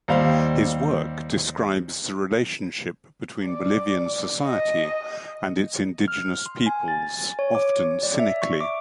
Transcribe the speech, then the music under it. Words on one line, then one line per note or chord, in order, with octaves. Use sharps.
His work describes the relationship between Bolivian society and its indigenous peoples, often cynically.
D#2 G3 C5 F5
D5
D#5
F6
C6
G#5
A6
C#5
D6
D5
E5
C#6
D6